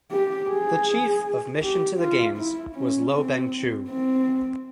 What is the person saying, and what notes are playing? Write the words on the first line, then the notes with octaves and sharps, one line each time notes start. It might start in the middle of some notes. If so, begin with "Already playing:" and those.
The Chief of mission to the games was Low Beng Choo.
G4
G#4
G4
F4
E4
C#4
C4
C4